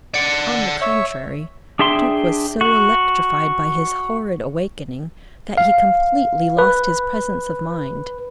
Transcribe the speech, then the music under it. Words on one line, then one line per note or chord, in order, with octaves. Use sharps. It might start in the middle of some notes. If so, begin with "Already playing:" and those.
On the contrary, Duke was so electrified by his horrid awakening that he completely lost his presence of mind.
D5 F#5
C#5 E5
D4 G#4 E5 G5 C6
F#4
F5
B4